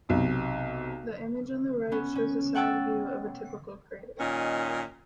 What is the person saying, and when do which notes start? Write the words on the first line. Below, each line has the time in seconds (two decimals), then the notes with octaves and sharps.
The image on the right shows a side view of a typical crater.
0.09 B1 C3
1.92 B3 C#4
2.15 C#4
2.55 C#5 F#5 G5 E6 A6
4.19 A#2 D#3 C#4 D#5